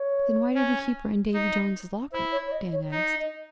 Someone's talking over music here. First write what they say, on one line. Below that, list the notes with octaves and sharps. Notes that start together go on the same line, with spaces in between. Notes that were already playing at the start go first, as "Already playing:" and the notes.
'Then why did he keep her in Davy Jones's locker?' Dan asked.
Already playing: C#5
C#4
D#4
E4 C5
C#5
C#5
D#5
C#5
D#4 D#5
D#5